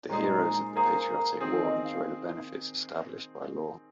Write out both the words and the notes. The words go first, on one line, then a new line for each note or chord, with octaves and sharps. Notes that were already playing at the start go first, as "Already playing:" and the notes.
The Heroes of the Patriotic War enjoy the benefits established by law.
A#2 G#3 D#4 G#4 C5 A#5
A#3 G#4 C5 A#5
A#5
D#3 C4 G#4 C5 G#5
D#5
F5